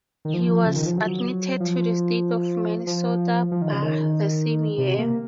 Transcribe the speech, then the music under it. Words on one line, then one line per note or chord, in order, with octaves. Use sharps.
He was admitted to the State of Minnesota bar the same year.
D#3
F3
C#3
D#3
F3
F#3
F3
F3
F3
D#3
C#3
D#3
C3
A#3